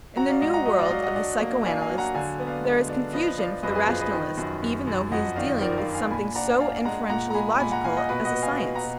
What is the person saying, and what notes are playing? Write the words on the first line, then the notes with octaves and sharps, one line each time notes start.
In the new world of the psychoanalysts there is confusion for the rationalist even though he is dealing with something so inferentially logical as a science.
F#3 F#5 A#5
D5 F5
G#2 D#5 F#5
F#5 A#5
F#3 D#5 F#5
D5 F5
D#5
F#3 D5 F5
D#5 F#5
D4 D#5 F#5
A#3
D4 F5 G#5
F5 G#5
F#3
F#5 A#5
D3 F5 G#5
B3
D5 F5
G#3
D4
F3 B4 D#5
F3 D5 F5
F#2 B4 D#5
G#4 B4
F3 G#4 B4
B4 D#5
D#3
F#2
F#2
F#2
F2 D#5 F#5
D#3 D5 F5
D#3 A#4 D5
D5 F5
D4
F5 G#5
A#2 G#5 B5
D4 F#5 A#5
D4 F5 G#5
G#3 F#5 A#5
A#2 F#5 A#5
A#5
G#3 G#5 B5
A#2 G#5 B5
F#5 A#5
A#2 F5 G#5
D#5 F#5
B2 B4 D#5
D#5 F#5
B2
F5 G#5
B2
F#5 A#5
B2